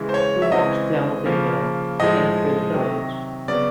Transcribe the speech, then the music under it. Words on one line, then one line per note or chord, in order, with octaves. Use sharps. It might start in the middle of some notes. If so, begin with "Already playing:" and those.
He walked down the hill, and through the village.
Already playing: C#3 E3 G#3
C5
C#5
E5
C#3 E3 G#3 C4 D#5
C#3 F3 A#3
A2 F3 G#3 D#5
C3 D#3 F#3
C#3 F#3 B3 D5